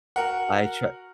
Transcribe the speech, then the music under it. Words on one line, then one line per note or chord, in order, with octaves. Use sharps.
I tr
F#4 A#4 F#5